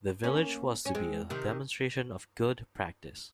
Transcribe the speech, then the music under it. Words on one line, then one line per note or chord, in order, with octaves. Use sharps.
The village was to be a demonstration of good practice.
A#3 C#4
C#4
G#3 C4
C3 D#3